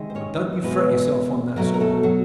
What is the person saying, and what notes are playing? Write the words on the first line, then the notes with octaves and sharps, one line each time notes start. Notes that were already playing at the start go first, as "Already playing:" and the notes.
But don't you fret yourself on that score.
Already playing: C3 D#3 G#3
C5
C#4 C#5
C5
E2 B2 G#3 B3 B4
B2 F#3 A3 A#3 A#4
A#4
A3 A4
F#3 F#4